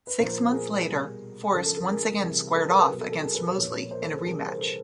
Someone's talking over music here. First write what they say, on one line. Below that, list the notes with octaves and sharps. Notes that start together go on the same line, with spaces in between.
Six months later, Forrest once again squared off against Mosley in a rematch.
B4
A#2 F3 A#4 C5
G#4 A#4
B2 G3
C#3 F3 A4
A4
A4
G#4 A#4
C3 E3 G3
A4 B4
G#4 A#4
A4 B4
B2 F#3
A4
A4
G#4 A#4
A4 B4
B4 C#5
A#2 F3
A#4 C5
A4
G#4
C3 E3 G3 G#4 A#4
A#4 C5
A4 B4